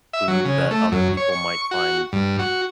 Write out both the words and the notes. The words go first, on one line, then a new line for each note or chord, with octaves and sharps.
food that other people might find
E5
F#3
C#3
A3
F#2
C#5
C#6
F#4
G2
F#4